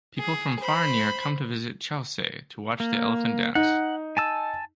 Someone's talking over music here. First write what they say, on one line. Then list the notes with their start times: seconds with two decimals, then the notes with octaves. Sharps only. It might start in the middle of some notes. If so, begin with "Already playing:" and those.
People from far and near come to visit Kyaukse and watch the elephant dance.
0.19 G#4
0.60 C5 B5
2.80 A#3
3.55 D#4 F#5
4.17 G#5 A5 E6